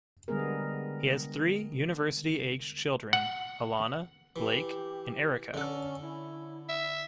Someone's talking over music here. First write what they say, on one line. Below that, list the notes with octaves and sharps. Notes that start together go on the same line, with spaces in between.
He has three university-aged children, Alana, Blake, and Erica.
D3 G3 G#3 B3 G#4 A#4
F#5
E3 G4
D3 C#4 A4
E4
E5